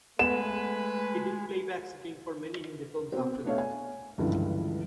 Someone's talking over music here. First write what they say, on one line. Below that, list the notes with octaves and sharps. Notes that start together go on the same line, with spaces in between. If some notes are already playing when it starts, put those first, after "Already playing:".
He did playback singing for many Hindi films after that.
G#3 A3 B3 B4 E7
B3 C4 F#4 C5
A3 B3 D4 C#5 E5 F5
G#5
C#2 G2 D3 E3 F3